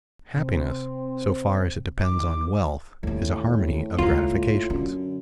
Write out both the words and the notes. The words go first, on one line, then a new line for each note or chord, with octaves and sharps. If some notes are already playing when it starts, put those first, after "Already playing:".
Happiness, so far as it depends on wealth, is a harmony of gratifications.
C3 C4
D#3 D6
D#2 A2 D3
C#2 A#3 F4
F#2 D3